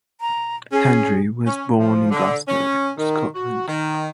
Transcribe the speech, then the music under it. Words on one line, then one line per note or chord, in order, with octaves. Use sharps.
Hendry was born in Glasgow, Scotland.
A#5
C#4 G#4
C#4
F3
D3
C#4
D#3
F#4
D#3